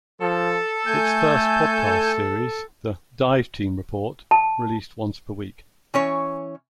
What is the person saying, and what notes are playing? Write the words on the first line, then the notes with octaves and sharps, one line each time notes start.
Its first podcast series, the "Dive Team Report", released once per week.
F3 A4
A3 G#5 G6
A5
E3 C#4 C#5